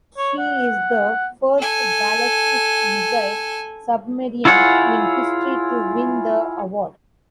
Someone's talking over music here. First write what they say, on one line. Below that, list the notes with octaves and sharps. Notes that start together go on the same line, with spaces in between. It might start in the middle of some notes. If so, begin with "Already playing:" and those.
She is the first ballistic missile submarine in history to win the award.
C#5
F#5
A4 G#5
E4 F4 G#4 C#5 F#5